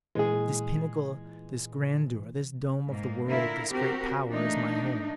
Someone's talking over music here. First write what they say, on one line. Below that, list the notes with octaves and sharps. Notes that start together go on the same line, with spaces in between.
This pinnacle, this grandeur, this dome of the world, this great power, is my home.
A#2 E3 G#3 G#4
G#2 A#3
D3 A#3 E4 F4 A#4
C4 F#4 G4 A#4
E3 A3 A#3 D4 D#4